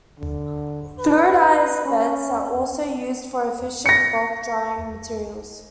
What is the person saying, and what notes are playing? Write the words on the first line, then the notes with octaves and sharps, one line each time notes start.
Fluidised beds are also used for efficient bulk drying of materials.
D3
B4
C#4
A#6 C#7